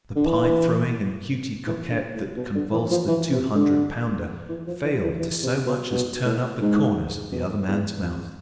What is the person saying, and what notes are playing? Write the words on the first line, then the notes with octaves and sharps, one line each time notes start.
The pie-throwing and Cutey Coquette that convulse the two-hundred-pounder fail to so much as turn up the corners of the other man's mouth.
D3
E3
E3
D3
A2
B2
D3
E3
F3
E3
C3
D3
E3
F3
E3
E3
E3
C3
B2
B2
A2
G#2
B2
E2
F2